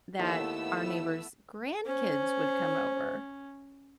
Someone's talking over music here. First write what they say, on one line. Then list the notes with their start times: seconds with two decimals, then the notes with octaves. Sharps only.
that our neighbors' grandkids would come over.
0.20 D#2 A3 B3 E4 E6
1.86 C#4 C5